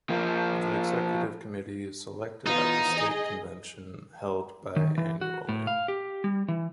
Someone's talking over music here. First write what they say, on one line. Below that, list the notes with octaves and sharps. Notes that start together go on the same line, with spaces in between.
The Executive Committee is selected at the State Convention, held bi-annually.
F3 A#3
E3 B3 D#4 F4
G#4 D#5
D#3
E3
F#4
A2
F5
G4
G3
E3